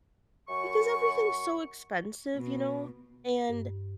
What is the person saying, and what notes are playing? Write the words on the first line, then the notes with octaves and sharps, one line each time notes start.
because everything's so expensive, you know? And
F#2 C#6
B2
G2